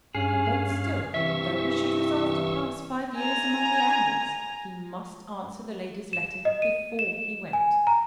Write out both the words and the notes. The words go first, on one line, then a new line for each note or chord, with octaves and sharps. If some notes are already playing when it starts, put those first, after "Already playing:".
But still, though he should resolve to pass five years among the Andes, he must answer the lady's letter before he went.
G2 C#4 G#4 F5
G2 C3 E3 E5 C#6 E6
G#5 A#5
E7
D#5
D#7
E7
G#5
A#5